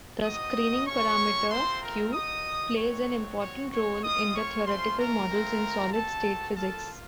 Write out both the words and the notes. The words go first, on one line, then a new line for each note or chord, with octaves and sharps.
The screening parameter "q" plays an important role in theoretical models in solid-state physics.
C4 D#4 F#4 D#5 D#6
A3 C#4 F#4 C#5 C#6
A3 C4 F4 C5 C6
A#4 A#5
A#3 D#4 F#4 D#5 D#6
A3 C4 D#4 F#4 C#5 C#6
C4 F#4 C#5 C#6
C#5 C#6
C4 F4 D#5 D#6
C#5 C#6
A3 C#4 F4 C5 C6
A#4 A#5
A3 C4 F4
A3 C4 F#4 A4 A5
A#3 F4 A4 A5